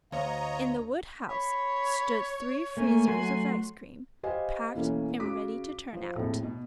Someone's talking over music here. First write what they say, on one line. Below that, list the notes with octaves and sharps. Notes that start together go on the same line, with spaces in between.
In the woodhouse stood three freezers of ice-cream, "packed" and ready to turn out.
D2 C#5 D#5 F5 A#5
C#5 B5
A3 A#3 C#5 G#5
F#3 A3 F#4 C6
G4 B4 C5 D#5 F5 G#5
B2 E3 A3 A#3 C#4
C#3 F#4 D6 B6
F3 C5
A#1 F2 A2
B2